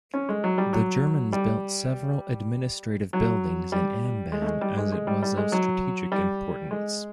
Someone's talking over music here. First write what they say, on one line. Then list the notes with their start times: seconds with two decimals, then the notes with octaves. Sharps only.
The Germans built several administrative buildings in Ambam as it was of strategic importance.
0.14 C#4
0.29 G#3
0.44 F#3
0.58 G3
0.73 F#3
1.33 G3
3.13 F#3
3.72 G3
4.32 G#3
4.42 A3
4.47 G#3
4.61 G3
4.78 G#3
4.92 G#3
5.07 G3
5.22 G3
5.37 G#3
5.52 F#3
6.12 G3
6.71 G#3